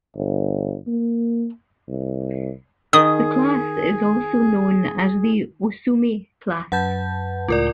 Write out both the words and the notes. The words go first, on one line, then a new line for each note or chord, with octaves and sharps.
The class is also known as the "Oosumi" class.
G1
A#3
C2
D#3 G#4 D#6
F#2 B4 F#5 A5 G6
C#2 A2 F4 A#4 D5 D6